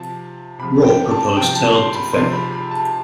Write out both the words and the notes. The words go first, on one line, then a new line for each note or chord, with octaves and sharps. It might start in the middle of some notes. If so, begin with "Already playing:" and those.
Rohl proposed Tell Defenneh.
Already playing: C3 F3 A5
C3 F3 B5
G5
A5
C3 F3 G5
A5
C6
B5
C3 F3 C6
B5
B5
A5